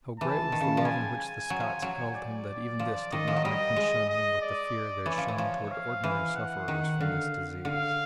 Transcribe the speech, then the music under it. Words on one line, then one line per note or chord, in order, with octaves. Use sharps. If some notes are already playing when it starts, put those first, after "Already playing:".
So great was the love in which the Scots held him that even this did not make them shun him with the fear that is shown toward ordinary sufferers from this disease.
E3 A5
D#3
C#3
F3
G3 G#5
G#5
F#3
F3
F#3
D5
F3
D#3 D#5
F3
F#3
G3 D#5
G#3
D#5
D5
E3 C#5
F3
E3
F3
F5
E3
F#5
D#3
D3 F5
D3 F5